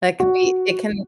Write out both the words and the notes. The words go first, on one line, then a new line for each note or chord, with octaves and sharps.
That can it can
F#4